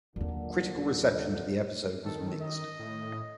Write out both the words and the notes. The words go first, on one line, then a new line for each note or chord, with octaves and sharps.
Critical reception to the episode was mixed.
D#2 A#2 D3 F#3
D#3 A4
D#5
A2